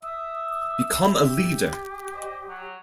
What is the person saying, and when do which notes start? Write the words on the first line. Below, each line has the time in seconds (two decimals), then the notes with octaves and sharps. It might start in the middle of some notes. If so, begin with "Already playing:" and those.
Become a leader!
0.03 E5 D#6
1.23 G4
2.15 C5 D5 D#5
2.49 F#3